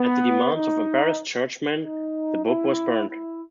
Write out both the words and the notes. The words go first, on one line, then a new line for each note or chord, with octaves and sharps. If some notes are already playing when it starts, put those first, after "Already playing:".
At the demands of embarrassed churchmen, the book was burnt.
Already playing: B3
D#4
D#4
E4
E4